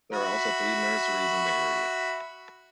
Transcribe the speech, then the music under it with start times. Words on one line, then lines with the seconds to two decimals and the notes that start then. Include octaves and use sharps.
There are also three nurseries in the area.
0.13 F#4 E5 B5